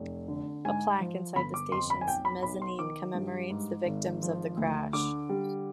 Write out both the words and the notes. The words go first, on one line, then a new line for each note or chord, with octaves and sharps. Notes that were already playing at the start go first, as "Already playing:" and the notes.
A plaque inside the station's mezzanine commemorates the victims of the crash.
Already playing: F1
D3
G#2 G#5
F3
G1 B5
D6
F2 C6
B5
G#5
B1 G5
B5
B1 B5
C6
D#3 D6
G2
G#2
G#1
F3
D2
D3 D6
G3